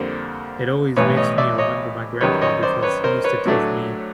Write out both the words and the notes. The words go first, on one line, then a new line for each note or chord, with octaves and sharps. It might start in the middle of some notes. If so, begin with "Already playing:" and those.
It always makes me remember my grandpa because he used to take me,
Already playing: F2 D3 G3 A#3 A#4 C5
B1 A2 E3 G3 B4 C#5
C#5 D#5
D5 E5
C#5 D#5
F#2 D#3 G3 B4 C#5
C#5 D#5
C5 D5
B4 C#5
A#4 C5
B4 C#5
A2 F#3 A3 D4